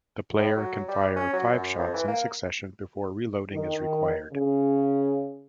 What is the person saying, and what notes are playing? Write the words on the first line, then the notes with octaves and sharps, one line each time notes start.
The player can fire five shots in succession before reloading is required.
A2
F#3
G3
C#4
F#3
F#2
F2
E3
A#3
D#3
C#3